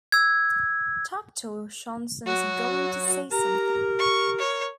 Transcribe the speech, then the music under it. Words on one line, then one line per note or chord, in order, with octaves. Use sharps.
Toctor Shonson's going to say something'.
E6 G#6
F#3 F#4
G4 A#4 A#5
C#6
C#5